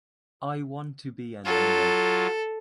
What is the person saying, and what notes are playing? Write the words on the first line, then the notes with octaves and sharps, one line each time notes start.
I want to be an owner.
F#3 F4 A4